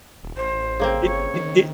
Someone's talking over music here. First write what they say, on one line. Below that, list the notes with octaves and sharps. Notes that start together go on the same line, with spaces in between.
Did did di
D#1
A1 C5
C#3 A#3 C4
G1 C#5
D#3